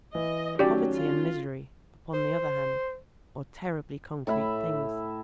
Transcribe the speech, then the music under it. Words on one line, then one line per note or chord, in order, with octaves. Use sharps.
Poverty and misery, upon the other hand, are terribly concrete things.
E3 D#5
D#3 F#3 A3 C#4 G4 D5
F4
C5
A2 E4 E5 B5